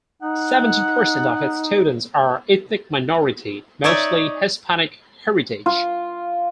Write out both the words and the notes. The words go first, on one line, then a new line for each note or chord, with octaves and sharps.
Seventeen percent of its students are ethnic minority - mostly Hispanic heritage.
D#4 F#5
D#4 C#5 D5 E5
F4